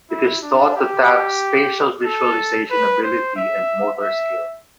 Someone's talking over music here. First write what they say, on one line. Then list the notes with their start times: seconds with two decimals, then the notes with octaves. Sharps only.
It is thought to tap spatial visualization ability and motor skill.
0.10 E4
0.42 D4
0.75 G4
2.05 A4
2.70 B4
3.03 C5
3.36 E5
4.00 E5